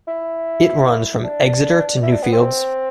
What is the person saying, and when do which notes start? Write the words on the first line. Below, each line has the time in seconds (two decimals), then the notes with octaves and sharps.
It runs from Exeter to Newfields.
0.08 E4
1.24 D4
2.03 E4
2.13 D4
2.23 B3
2.32 C4